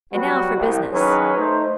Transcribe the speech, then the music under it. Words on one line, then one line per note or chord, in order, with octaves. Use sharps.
And now for business.
F#3 G3 B3 F#4
C2
D#3 F#3 C#4 G#4 B4
A3 D#4 C5